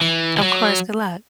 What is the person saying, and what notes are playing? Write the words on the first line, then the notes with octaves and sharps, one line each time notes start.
Of course, good luck.
E3
E3
F#3